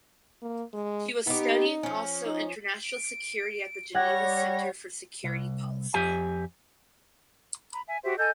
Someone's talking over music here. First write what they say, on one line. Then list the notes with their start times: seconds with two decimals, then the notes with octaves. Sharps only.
She was studying also international security at the Geneva Centre for Security Policy.
0.42 A#3
0.74 G#3
1.27 B3 D#4 G4
1.83 F3 C#4
2.26 D#4
2.84 D7
3.95 G3 C#5 F#5 G#6 A#6
5.24 C2
5.94 F2 G4 G#5
7.72 A#5 B5
7.88 E5 G#5
8.04 F#4 G4 C5 E5
8.18 A4 D#5 G#5 G6